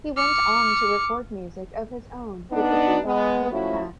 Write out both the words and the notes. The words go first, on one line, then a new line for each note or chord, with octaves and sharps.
He went on to record music of his own with the group Lootpack.
D6 F6 C#7
B3 D4 D#4
G#3 B3
F3 A3 C#4 E4 F#4